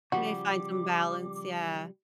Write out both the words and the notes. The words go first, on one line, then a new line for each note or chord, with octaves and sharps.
We may find some balance, yeah.
C#3 F3 G3 F#4 D6